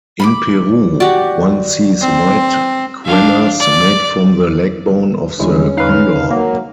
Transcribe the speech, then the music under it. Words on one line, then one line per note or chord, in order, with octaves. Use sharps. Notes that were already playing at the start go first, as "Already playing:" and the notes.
In Peru, one sees white quenas made from the leg-bone of the condor.
B5 C6 D6
F#4 G4 D5
C4
D4 F5
D5
E2 D3 G3 G#3 C#4 E4
D#4 B4 F5
F#3 A#3